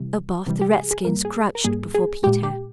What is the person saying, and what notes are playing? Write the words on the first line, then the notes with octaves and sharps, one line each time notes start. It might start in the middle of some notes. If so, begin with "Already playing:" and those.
Above, the redskins crouched before Peter.
Already playing: C3 E3 G3
C3 E3 G3
G4
G#4
G#4
G#2 G3 A#3 A#4
G#4
A#4
G#2 G3 A#3 G#4
G#4
A#2 G#3 G4
G4